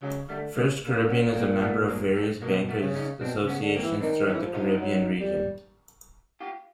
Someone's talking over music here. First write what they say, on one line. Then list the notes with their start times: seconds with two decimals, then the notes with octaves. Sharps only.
FirstCaribbean is a member of various Bankers Associations throughout the Caribbean region.
0.03 C#3 F#3 G#3
0.29 D3 G3 A3
0.55 C#3 G#3 A#3
0.82 A#2
1.09 B3 C#4
1.22 A#2
1.35 A#3 C4
1.62 A3 B3
1.88 G#3 A#3
2.15 G3 A3
2.41 B2 G#3 A#3
2.69 A3 B3
2.82 C#3
2.95 C#4 D#4
3.21 B2 C4 D4
3.42 C#3
3.48 B3 C#4
3.61 D3
3.75 A#3 C4
3.82 E3
4.01 D#3 C4 D4
4.26 D#3 C#4 D#4
4.34 E3
4.41 F3
4.54 D#4 F4
4.81 F#3
5.21 G3
6.40 F4 G4